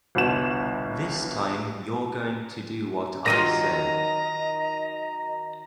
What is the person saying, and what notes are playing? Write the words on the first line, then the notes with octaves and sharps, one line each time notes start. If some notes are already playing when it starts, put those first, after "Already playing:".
This time you're going to do what I say.
G1 C2 B2 E7
D#3 F#3 F4 D#5 A#5 A#6 D#7